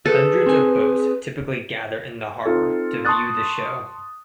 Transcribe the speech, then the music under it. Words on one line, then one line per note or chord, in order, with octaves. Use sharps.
Hundreds of boats typically gather in the harbor to view the show.
G#4 A4 B4
C4 G#5
C4 D#4 F4 A4
A5 C6 C#6 D#6 F#6 A6